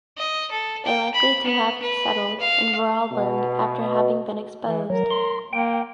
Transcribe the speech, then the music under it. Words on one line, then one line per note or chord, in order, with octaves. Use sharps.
They likely to have settled in Vorarlberg after having been exposed.
D#5
A4
G5
B5
B3
B4
F5
B2
E3
F#3 A#4
C6
A#3 G5